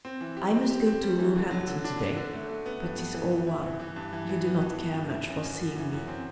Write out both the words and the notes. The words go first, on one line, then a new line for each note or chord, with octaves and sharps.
I must go to Roehampton to-day, but 'tis all one, you do not care much for seeing me.
C4
E3
G4
C4
G4
C4
G3
E3
D3
F#3
D3
D4
D4
D3
A3
A3
B3
G2
B3
E3
G2
E4
E3
E3
G2
E3
E3
B3
E3
B3
G2
E4
F#2
F#2
F#2
E3
F#2
C4